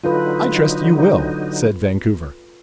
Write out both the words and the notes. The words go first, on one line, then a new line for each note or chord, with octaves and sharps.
"I trust you will," said Vancouver.
D3 F#3 D#4 F4 A4 B4